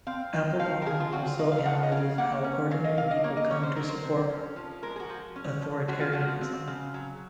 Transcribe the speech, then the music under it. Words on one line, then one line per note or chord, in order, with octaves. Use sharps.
Applebaum also analyzes how ordinary people come to support authoritarianism.
C4 F5
D#4
F3 F5
A#4
C#3 G#4
F4
C4 F#4
F4
D#4
F5
F3 F#5
D#5
C#3 F5
A#3 F#5
C#4
F#3 F5
D#5
C3 F5
D#5
A#3 C#5
D#5
C#4 C#5
C5
F#3 A#4
C5
C3
C#4
F3
G#3 A#4
G#4
F#4
F3
C#4
F3
G#3 F#4
F4
F3 F#4
C4
C#3
F#3